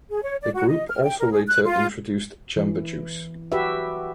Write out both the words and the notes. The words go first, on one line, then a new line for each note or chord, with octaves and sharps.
The group also later introduced Jamba Juice.
G#4
C#5
D5
F#4
D#5
F6
G5
A#4
G#4
F#6
F4
E3
F#4 G4 B4 E5